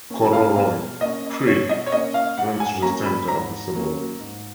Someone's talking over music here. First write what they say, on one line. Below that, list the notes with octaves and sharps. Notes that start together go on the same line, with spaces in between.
Kororoit Creek runs through the centre of the suburb.
A#3 C#4
F5
B2 F5
A#3 C#4 D#5
B2 C#5
D#5
C#5
A#3 C#4 D#5
F5
G#2 F#5
G#5
F#3 A#3 C#4 A#5
B5
G#2 A#5
F#3 A#3 C#4
G#2